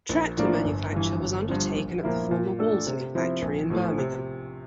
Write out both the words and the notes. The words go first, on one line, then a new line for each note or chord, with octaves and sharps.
Tractor manufacture was undertaken at the former Wolseley factory in Birmingham.
A#1
A2 F3 A#3 D4
G1
G2 E3
G1
G2 D3 F3
A#1
A#2 F3 A#3 E4
A#2
A3 D4 A4
C3
F3 C4 E4
A#1
A2 F3 A3
C3